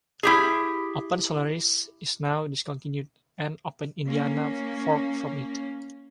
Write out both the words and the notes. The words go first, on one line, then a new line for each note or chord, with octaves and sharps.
OpenSolaris is now discontinued and OpenIndiana forked from it.
E4 G4 G#4
A#3 C#4